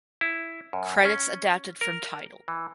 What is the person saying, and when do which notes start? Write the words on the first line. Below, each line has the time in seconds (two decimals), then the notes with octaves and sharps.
Credits adapted from Tidal.
0.21 E4
0.73 F#2
1.05 C#4
1.81 A#4
2.48 E3